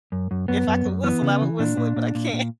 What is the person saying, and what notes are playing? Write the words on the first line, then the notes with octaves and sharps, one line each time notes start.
If I could whistle, I would whistle it, but I can't.
F#2
F#2
F#2 B3
F#2
F#2
E3 B3
C#3
E3
A#2 D4
A#2
A#2
A#2
A#2